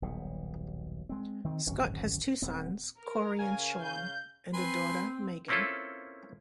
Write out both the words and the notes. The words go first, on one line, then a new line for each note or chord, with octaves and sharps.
Scott has two sons, Corey and Shawn, and a daughter, Megan.
D#1 B1 B2
G#3 C4
D#3 C4
D1 G#1 F#2 C#4
D#1 B3 C4
A#4
C#3 F5 G#5
G6
C4 B4 G#5 C6
A#3 C4 C#4 E4 F4 A4